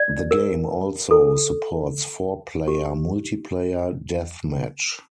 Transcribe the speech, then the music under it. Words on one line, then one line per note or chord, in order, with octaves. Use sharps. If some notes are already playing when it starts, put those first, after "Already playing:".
The game also supports four-player multiplayer deathmatch.
Already playing: D5
A#4
A4
G4